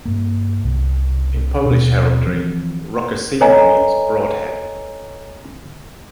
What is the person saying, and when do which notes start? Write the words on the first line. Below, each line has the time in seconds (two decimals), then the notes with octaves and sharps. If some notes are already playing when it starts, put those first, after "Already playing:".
In Polish heraldry "Rogacina" means "Broadhead".
0.06 G2 A#3
0.64 C2
1.65 D#2 B2
2.26 E3 F3 C4
3.41 A4 B4 C#5 D#5 G#5 A#5